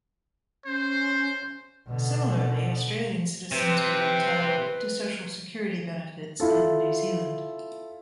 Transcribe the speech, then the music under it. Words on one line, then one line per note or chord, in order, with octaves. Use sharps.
Similarly, Australian citizens were entitled to social security benefits in New Zealand.
C#4 C5
B2 D3
C3 C4 B4
E4 F4 A4